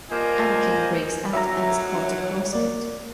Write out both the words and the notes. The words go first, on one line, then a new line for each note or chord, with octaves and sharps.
Anakin breaks out, and is called to Coruscant.
F3 G3 A#3 C5 D#5 G#5
F#3 E5 A#5
A#3 D5